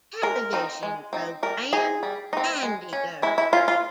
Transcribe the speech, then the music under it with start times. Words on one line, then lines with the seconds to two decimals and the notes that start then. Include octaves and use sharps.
Television program "Candy Girls".
0.22 G#3 A#4
0.53 C4 D#4
0.83 G#3
1.13 C4 D#4
1.43 G3 A#4
1.73 C4 D#4 G#4
2.03 G3
2.33 C4 D#4
2.63 G#3
2.93 C#4
3.22 G#3 E4
3.38 E4
3.53 C#4 F4
3.68 F4